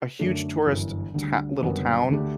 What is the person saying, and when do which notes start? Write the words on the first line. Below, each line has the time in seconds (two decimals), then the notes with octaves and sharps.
a huge tourist, eh, tow little town,
0.19 F#2 D3 A3 D4 A4
0.66 G1 F#2 E3
1.14 D2 D3 G3
1.61 F#1 F#2 D3 G3 B3
2.09 D2 D3 A3 D4 G4